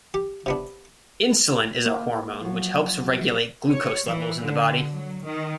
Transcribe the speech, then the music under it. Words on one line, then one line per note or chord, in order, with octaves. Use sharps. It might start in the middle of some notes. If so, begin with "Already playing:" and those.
Insulin is a hormone which helps regulate glucose levels in the body.
G4
C3 B3 D4
A#3
F3 F#3
C#5
E3
D3
F#3
D#3